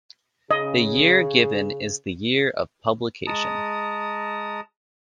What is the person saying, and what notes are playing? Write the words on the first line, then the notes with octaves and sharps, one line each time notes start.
The year given is the year of publication.
C#3 G#4 D#5
G#3 A5 A#5 D#6